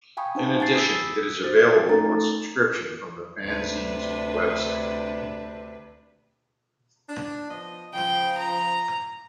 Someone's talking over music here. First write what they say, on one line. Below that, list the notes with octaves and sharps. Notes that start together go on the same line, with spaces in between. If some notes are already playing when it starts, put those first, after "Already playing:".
In addition, it is available on subscription from the fanzine's website.
F5 G5 G#5 B5 C#6 D#6
C#4 D#4 C5 A5
F#5 G#5 B5 A6 C7
D#6 E6 B6
F#4 C5 A6
A3 C#4 D#4 A4 A#5 A6
D2 C3 D4 B4
D4
F3 B3 D#5
C#3 F3 G5
A#5